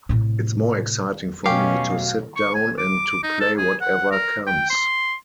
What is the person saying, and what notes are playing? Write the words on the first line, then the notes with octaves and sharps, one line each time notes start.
It's more exciting for me to sit down and to play whatever comes.
A2 C3
B2 F#3 A3 C#4 G4 F5
C#6
G#5
D6
D#4
A4
G#4
F#5
A#4
G5
C6